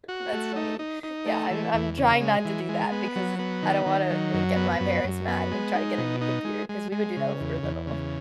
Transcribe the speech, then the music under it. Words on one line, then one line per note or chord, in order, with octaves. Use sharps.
That's funny. Yeah, I'm I'm trying not to do that because, eh, I don't wanna, like, get my parents mad and then try to get a new computer, 'cause we would do that when we were little.
F#4
A3
D#4
D#4
D#4
A3
E3
E2
C#3
G#3
E3
G#3
B3
F#3
B3
D#3
D#3
F#3
F#2
B3
F#2
F#2
B3
G#3
D#4
B2
D#4
G#3
G#3
G#3
C#3
E2
E2
C#3